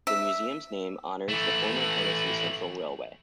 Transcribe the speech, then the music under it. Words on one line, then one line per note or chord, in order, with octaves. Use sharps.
The museum's name honors the former Tennessee Central Railway.
E5
E3 A3 F#7